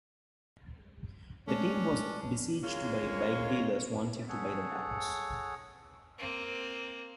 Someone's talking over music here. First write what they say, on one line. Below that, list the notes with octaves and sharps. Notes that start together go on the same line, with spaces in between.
The team was besieged by bike dealers wanting to buy the bags.
G#3 A3 C#4 D4
D#3 G#3 A#3 C#4 F4 C#5
G#4 A4 C#5 F#5
A#3 C4